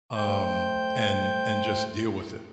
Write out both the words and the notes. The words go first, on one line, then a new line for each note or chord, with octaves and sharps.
um, and and just deal with it.
A3 C5 G5 G6